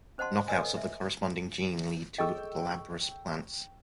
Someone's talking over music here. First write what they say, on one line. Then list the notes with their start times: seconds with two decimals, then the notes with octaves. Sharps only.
Knockouts of the corresponding gene lead to glabrous plants.
0.18 C#4 C5 D#5 F#5 A5 C6
0.48 B4 C#5 D#5 F#5 G#5
0.63 A4 D#5
0.77 E5
2.18 G#4 A4 D#5 G5 C#6 E6